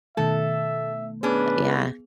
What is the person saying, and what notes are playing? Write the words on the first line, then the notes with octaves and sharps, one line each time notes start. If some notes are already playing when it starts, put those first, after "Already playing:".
But, yeah.
B2 D#3 A3 A4 E5
B3 C#4 D4 G#4 B4